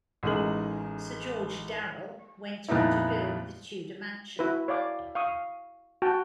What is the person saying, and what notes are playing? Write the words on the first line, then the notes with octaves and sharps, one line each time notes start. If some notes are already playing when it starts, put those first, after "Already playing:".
Sir George Darell went on to build the Tudor mansion.
A1 G#3 D#4 G#4 A#4 F#7
F2 A#2 B3 D#4 E4
E4 F#4 B4
C#5 D5 F5 D6
F5 C#6 D#6
F#4 G5 A5